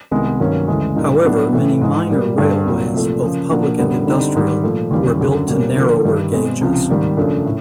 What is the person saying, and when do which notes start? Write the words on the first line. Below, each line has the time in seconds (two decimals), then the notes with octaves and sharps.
However many minor railways, both public and industrial, were built to narrower gauges.
0.11 C2 C3 D#3 G#3 B3
0.40 G2 D#3 F#3 A#3 C#4
0.68 D2 C#3 E3 G#3
0.96 A#2 G3 A#3 D#4
1.24 A2 F#3 B3 D4
1.53 A2 E3 A3
1.81 G#2 E3 G#3
2.09 A#2 G3 A#3
2.38 G2 D3 G3 A#3
2.66 C2 A#2 F#3
2.94 C2 A#2 F3 A3
3.22 C#3 F3 A#3
3.50 A#2 F3 A#3 D4 F#4
3.79 F#2 D3 G3 B3
4.07 D3 G3 C4 D#4
4.35 G#2 D#3 G3
4.63 A#2 F3 A3
4.91 D#2 C#3 E3 G3
5.19 F#2 D3 F#3
5.48 B2 G3 A#3 C#4
5.77 D3 F3 A#3
6.04 G2 D#3 G3
6.33 B2 G#3 C4
6.61 C#2 C3 F3
6.89 G#2 D#3 G3 A#3
7.17 F#2 C#3 F3 A3 D4
7.45 A2